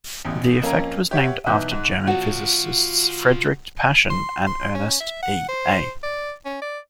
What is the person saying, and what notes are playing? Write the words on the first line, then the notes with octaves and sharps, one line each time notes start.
The effect was named after the German physicists Friedrich Paschen and Ernst E. A.
A1 E2
F2 A#3 C#4 A#5
G4 C#5 E5 F#5
B1 E3 D#4 E5 F#6 G6
G#2
F4 F#4 C#5 F#5
C6
C6
C#4
E5
F#5
C5
D5
C#4
D5